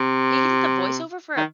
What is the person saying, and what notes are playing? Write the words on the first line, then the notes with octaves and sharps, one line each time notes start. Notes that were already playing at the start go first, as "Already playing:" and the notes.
He he did the voiceover for a
Already playing: C3
D#3